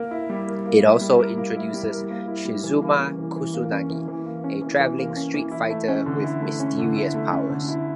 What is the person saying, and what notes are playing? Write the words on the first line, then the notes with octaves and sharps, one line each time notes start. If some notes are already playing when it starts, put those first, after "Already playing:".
It also introduces Shizuma Kusunagi, a traveling Street Fighter with mysterious powers.
Already playing: A#3 A#4
E4
G3
A#4
A#3
E4
G3
A#4
A#3
E4
G3
A#4
A#3
E4
G3
E3
A#3
C#4
E3
E3
A#3
C#4
E3
E3
A#3
C#4
E3
E3
A#3
C#4
E3
E4
A3
C#4
D3
E4
A3
C#4
D3
E4
A3
C#4
D3
E4